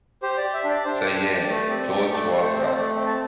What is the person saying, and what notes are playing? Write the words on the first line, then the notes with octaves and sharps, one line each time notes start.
So yeah, George was right.
G4 C5
D5
G4
E5
D4
D5
D4 C5
D5
G4
G4 D5
A3
C4
G4
A3 D5
A3
C5
C4
C5
A3 D5
C4
A5